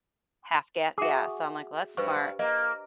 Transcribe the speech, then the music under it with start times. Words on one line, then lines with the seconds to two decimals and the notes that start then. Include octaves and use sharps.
half ga Yeah, so I'm like, "Well, that's smart.
0.98 F#4 G#4 E5 D6
1.97 G2 B4 C5 C#6
2.39 A#3 D#5